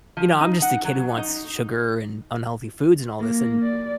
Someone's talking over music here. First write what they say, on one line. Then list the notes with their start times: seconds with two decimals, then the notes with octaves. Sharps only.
you know, I'm just a kid who wants sugar and unhealthy foods and all this, and
0.17 F3
0.41 D#4
0.62 F#5
0.84 F#3
1.18 D#4
3.20 A#3
3.63 D5